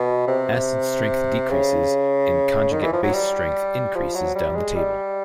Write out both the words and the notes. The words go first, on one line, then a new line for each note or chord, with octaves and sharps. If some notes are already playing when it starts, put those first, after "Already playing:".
Acid strength decreases and conjugate base strength increases down the table.
Already playing: B2
C3
C#3
D#3
E3
F3
F#3
G3
F3
F#3
G3
G#3
G3